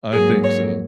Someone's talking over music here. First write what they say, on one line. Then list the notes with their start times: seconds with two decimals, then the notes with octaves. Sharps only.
I think so.
0.12 G#2 F#3 A#3 G#4
0.44 C#5